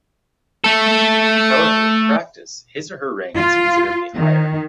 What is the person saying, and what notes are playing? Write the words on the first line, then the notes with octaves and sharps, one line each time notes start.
However, in practice, his or her rank is considerably higher.
A3 A4
F4
D#3